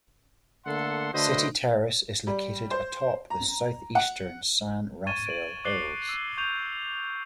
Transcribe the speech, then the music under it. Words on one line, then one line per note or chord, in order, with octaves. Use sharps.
City Terrace is located atop the southeastern San Rafael Hills.
D3 A3 A#3 A4 F#5 C6
D3 A3 F#4 B4 C5 D#5
G3
C5
A#5
F#5
C#6 G#6 A6 D#7 E7 G7
D7 F#7
D6 F#6 A6 C7 F#7 G7
E6 D#7
C#6 G6 D#7 F7